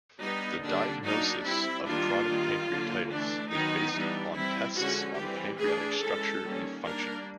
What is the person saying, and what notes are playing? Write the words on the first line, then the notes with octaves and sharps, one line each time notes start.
The diagnosis of chronic pancreatitis is based on tests on pancreatic structure and function.
G3 B3 D4 D#4
D3 G3 A#3 D4
F#3 A#3 D4 D#4
G3 C4 E4
D#3 G3 A#3 D4 F4
D#3 G3 A#3
D3 F#3 A#3
E3 A3 D4
D#3 F#3 B3 D#4
E3 G3 B3 D4
G3 C4 E4
D3 F3 G#3 C#4 F#4
E3 G3 C4 G4
E3 A3 D4 G#4
E3 G#3 C#4 A4
D#3 G3 A#3 C#4
G3 A#3 D4 A#4